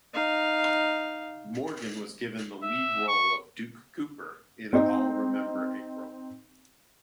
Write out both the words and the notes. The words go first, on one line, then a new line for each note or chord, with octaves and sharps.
Morgan was given the lead role of Duke Cooper in "I'll Remember April".
D#4 F5
E5
C#6
C4 D#4